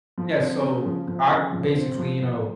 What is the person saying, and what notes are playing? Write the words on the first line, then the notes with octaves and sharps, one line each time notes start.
Yeah, so I basically, you know
F3
C4
C#3
F3
F3
C#3
F3
C4
F3
F3